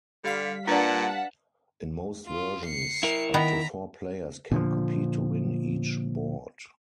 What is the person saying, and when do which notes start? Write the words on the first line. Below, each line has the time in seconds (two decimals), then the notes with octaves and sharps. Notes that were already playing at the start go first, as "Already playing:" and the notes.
In most versions, up to four players can compete to win each board.
0.24 D3 G3 F5 B6
0.67 A#2 D4 B4 D5 F#5 A5
2.27 F4
2.65 C7 C#7
3.03 E4 A#4
3.34 D#3 B3 A#5 B6
4.51 A#2 D3 F3